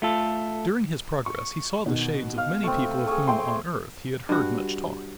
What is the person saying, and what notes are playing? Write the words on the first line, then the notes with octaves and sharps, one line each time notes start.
During his progress he saw the shades of many people of whom, on earth, he had heard much talk.
A3 F4 A4
C#6
B2 D#3
F5
A3 C4
A3 G#4
E5 G5 C6
G2 F#4